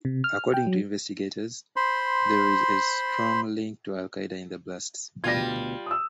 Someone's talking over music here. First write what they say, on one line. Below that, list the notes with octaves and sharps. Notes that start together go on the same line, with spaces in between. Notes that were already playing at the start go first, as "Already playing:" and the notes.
According to investigators, there is no strong link to Al Qaeda in the blasts.
C3
F6
G5
F#3
C5 B5 C6
D2 B2 G3 F4 G#6 A#6
D#6 E6